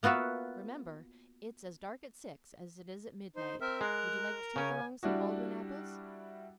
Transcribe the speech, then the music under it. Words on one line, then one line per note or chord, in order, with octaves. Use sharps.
Remember it's as dark at six as it is at midnight Would you like to take along some Baldwin apples?
A#3 B3 F4 F#4 E5
D#4 C5
C4 A#4 E5 F6
G#3 A#4 A#5 F#6
C#3 C#4 G#5
G3 D4 E4 F#4